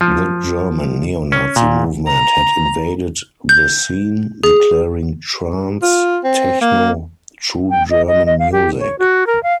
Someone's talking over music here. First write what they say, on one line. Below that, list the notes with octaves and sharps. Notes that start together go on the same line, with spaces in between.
The German neo-Nazi movement had invaded the scene, declaring trance techno "true German music".
F3
C#4
A#2
A#5
G6
G#4
F4
C4
A#3
G5
D#5
D#5
D#5
F5
G4
C#5
F#4
A#4
F5